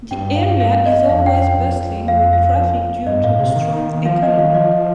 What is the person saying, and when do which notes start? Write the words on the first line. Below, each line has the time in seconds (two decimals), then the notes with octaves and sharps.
The area is always bustling with traffic due to the strong economy.
0.11 G2 G5
0.35 F5
0.60 F5
0.86 D#5
1.09 F2 F5
1.26 G5
1.42 G5
1.58 F2
2.08 F5
2.33 F5
3.07 G2 D#5
3.23 A2 F5
3.39 C3 F5
3.56 D#3
4.05 F3 F5
4.22 F3 D#5
4.38 D#3 F5
4.54 F3 D#5